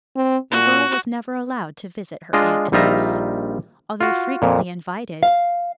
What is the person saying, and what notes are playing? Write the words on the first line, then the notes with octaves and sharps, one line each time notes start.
The girl was never allowed to visit her Aunt Annice, although frequently invited.
C4
A#2 F#4
G#3 D4 F4 D#5
A#1 G3 D#4 F4 E5 A#5
F4 F#4
F2 A#2
F5